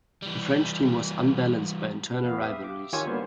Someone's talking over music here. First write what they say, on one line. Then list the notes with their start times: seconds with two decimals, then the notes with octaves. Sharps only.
The French team was unbalanced by internal rivalries.
0.22 E3 G3
2.23 E2 B3 F5
2.40 G4 E5 F5 D#6
2.64 D6
2.93 D#3 F4 G4 C#5 G#5 E6
3.06 D3 G3 A#3 B3 F#4 C5